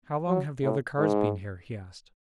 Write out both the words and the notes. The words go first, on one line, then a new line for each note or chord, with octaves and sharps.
"How long have the other cars been here?" he asked.
F#3
A2
G#2